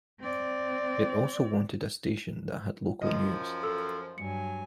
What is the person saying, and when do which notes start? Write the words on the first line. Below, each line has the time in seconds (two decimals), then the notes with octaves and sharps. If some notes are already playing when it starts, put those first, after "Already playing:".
It also wanted a station that had local news.
0.20 C4 D5
3.02 F#2 F3 D#5
3.63 A4 E6
4.18 G2 F#3 G#5 C#7